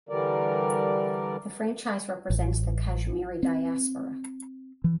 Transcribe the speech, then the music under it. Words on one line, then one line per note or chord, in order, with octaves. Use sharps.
The franchise represents the Kashmiri diaspora.
D3 E3 G3 A#4 D5
A1
C4
E3